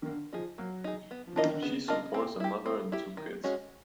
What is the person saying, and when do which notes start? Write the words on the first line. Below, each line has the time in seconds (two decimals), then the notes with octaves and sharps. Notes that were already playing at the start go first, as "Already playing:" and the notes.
She supports a mother and two kids.
0.02 D#3
0.06 D3 A#3
0.33 F3 D#4 G#4
0.58 F#3 A#3
0.84 D#4 G#4
1.11 B3
1.27 F3
1.36 E3 D4 F4 A#4 D#5
1.45 D#3
1.53 D3
1.62 C#3 B3
1.88 D4 F4 A#4 D#5
2.14 C4
2.40 E4 G4
2.66 C4
2.92 E4 G4
3.17 D#3
3.44 G#3 C#4 F#4